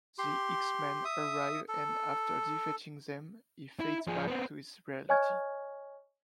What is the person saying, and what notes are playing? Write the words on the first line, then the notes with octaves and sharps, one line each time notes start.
The X-Men arrive and after defeating them he fades back to his reality.
G4 C6
E5 D#6
A4
E4
F3 G#4
B3 C4
C#5 D#5 G#5 C#6 F6 G#6